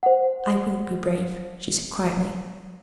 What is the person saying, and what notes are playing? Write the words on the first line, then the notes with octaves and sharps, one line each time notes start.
"I will be brave," she said quietly.
C5 F#5